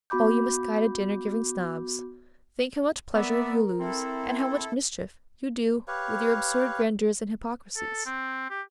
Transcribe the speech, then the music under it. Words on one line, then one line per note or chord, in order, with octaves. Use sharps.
O you misguided dinner-giving Snobs, think how much pleasure you lose, and how much mischief you do with your absurd grandeurs and hypocrisies!
B3 F#4 B5 D6 G6
B3 A#4 D5 E5
C4 E4 A4
G4 B4 C#5 F5
A4
C4
G4